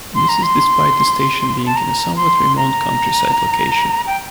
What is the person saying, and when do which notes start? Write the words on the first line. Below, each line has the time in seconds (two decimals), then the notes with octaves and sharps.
This is despite the station being in a somewhat remote countryside location.
0.15 C6
0.29 A#5
0.43 C6
1.66 A5
1.76 A#5
2.16 C6
2.57 A#5
4.07 G5